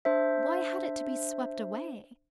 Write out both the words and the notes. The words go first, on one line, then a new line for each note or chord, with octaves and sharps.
Why had it to be swept away?
D4 C5 E5